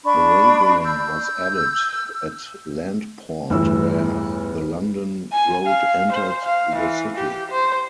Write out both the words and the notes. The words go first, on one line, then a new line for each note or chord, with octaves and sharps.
A ravelin was added at Landport where the London road entered the city.
D4 B5 C#6
E6 G6
G1 E2 A2 E3 E6
G#5
F5
C5
F5
E3
G4
C5